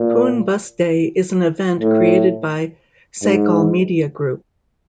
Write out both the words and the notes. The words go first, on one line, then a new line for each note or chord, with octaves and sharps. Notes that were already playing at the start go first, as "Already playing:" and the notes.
Pune bus day is an event created by Sakal Media Group.
Already playing: A#2
A2
G#2